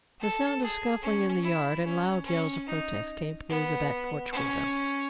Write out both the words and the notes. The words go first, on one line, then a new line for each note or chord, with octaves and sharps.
The sound of scuffling in the yard and loud yells of protest came through the back porch window.
A4
G#4
C#4
E4
C#4
C#4
D#4
B3
C#4